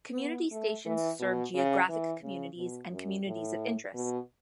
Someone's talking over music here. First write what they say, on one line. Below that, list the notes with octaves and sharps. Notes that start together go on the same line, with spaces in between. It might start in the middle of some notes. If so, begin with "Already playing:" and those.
Community stations serve geographic communities and communities of interest.
B3
A3
E3
B2
C#3
E3
C#3
B2
F#2
A2
B2